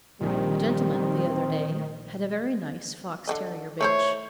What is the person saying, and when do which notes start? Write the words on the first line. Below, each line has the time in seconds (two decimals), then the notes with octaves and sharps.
A gentleman, the other day, had a very nice fox-terrier bitch.
0.21 A#1 A#2 D#3 G3 C4
3.27 D3 B3 D#5
3.81 A3 E4 C5 C#5